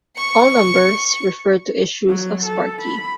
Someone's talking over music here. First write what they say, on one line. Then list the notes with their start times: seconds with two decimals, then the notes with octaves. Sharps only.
All numbers refer to issues of Sparky.
0.17 C#6 C#7
2.09 F#3
2.46 A4
2.82 B5